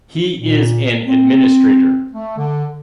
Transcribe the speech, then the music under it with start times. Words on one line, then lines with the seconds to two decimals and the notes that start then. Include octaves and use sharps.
He is an administrator.
0.38 A#2
1.05 C4
2.13 A3
2.38 D3